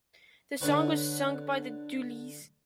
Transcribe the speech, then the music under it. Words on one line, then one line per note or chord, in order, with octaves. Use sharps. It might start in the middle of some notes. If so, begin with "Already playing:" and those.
The song was sung by The Dooleys.
D3 B4 C#5